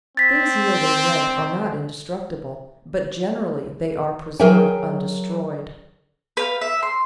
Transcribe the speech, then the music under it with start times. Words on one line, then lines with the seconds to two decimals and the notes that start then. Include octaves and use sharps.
Things yielding rent are not indestructible, but generally they are preserved undestroyed.
0.17 C4 A6 B6
4.40 F#3 G#4 A#4 E5 G5 G#5
6.37 B4 F5
6.61 E5
6.83 C6